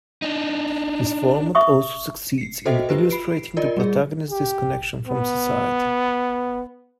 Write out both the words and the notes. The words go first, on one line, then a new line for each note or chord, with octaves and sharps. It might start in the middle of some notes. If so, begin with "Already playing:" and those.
This format also succeeds in illustrating the protagonist's disconnection from society.
D4 D#4
E5 C#6 D#6
C7 C#7
F#4 A4 C5 D#5 E5 G5
F4 G4 B4
B5 C7 D7
F4 A#4 D5 D#5
G3 G#4
G4
B3